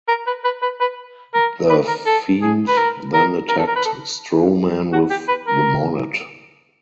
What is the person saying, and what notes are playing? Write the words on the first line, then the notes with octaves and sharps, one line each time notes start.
The Fiend then attacked Strowman with the mallet.
A#4
B4
B4
B4
B4
A#4
B4
A#4
A4
G#4
B4
A#4
A#4
A#4
A4
A#4
B4
A4
F#4
G4
B4
A#4